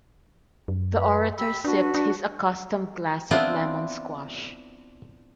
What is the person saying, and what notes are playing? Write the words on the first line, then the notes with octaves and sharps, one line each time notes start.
The orator sipped his accustomed glass of lemon-squash.
F#2
B4
G4 B5 E6
D4 F#4 B4 A5
D4
B3 C4 D4 E4 F4